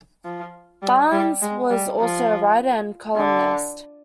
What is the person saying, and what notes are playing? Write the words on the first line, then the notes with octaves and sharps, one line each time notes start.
Barnes was also a writer and columnist.
F3
G3
G3
G#3
G3
F3
D3